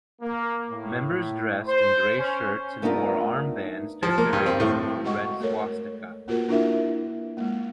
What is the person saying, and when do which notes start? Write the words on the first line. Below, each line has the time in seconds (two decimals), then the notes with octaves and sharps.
Members dressed in grey shirts and wore armbands decorated with a red swastika.
0.21 A#3
0.70 A2
1.68 C5
2.19 C#4
2.82 A3 B3 D4 D#4 F4 A#4
4.03 F3
4.18 A#3
4.33 G2
4.46 C4
4.60 A2
5.04 G#3 F#4 D#5 F#5 C#6
5.40 A3 A4 A#4 C#5
6.28 A#3 F4 F#4 A#4 B4
6.48 A#3 D4 E4 F4 A#4 E5
7.37 G#3 A#3